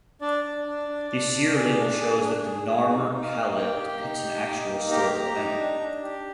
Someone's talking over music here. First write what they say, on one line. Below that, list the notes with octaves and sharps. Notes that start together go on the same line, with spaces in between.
This year label shows that the Narmer Palette depicts an actual historical event.
D4 D5
D4
D4
D4
D4
D4
G#4
D4
G#4
D4
G#4
G#4
D#4
D#4
F5
A#3
A#3 G5
G4
D#4
G4
D#4
A#3
G4 A#5
G4
D#4
D4
D4
G4